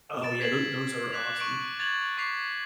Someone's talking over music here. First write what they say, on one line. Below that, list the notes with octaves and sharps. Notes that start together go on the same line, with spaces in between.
Oh yeah, tho those are awesome.
A6 D7 E7
G#6 B6 C7 D7 F#7
D6 F#6 B6 F7
C#6 D7 F#7
G#6 A6 F7 F#7
C#6 D6 B6 C7 F7